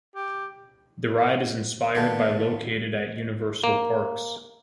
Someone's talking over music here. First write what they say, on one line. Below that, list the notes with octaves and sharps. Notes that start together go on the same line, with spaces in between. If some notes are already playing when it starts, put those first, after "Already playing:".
The ride is inspired by located at Universal Parks.
G4
D#2 A#2 D3 B3 D5 F5 A5
A#3